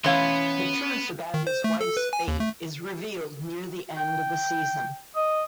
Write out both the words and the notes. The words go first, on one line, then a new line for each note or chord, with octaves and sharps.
The truth about his wife's fate is revealed near the end of the season.
E3 B3 C#4 C#5 F5 B5 C6
D#3
C5
A3
A4
B4
G#5
D#2
A3
G5
D#5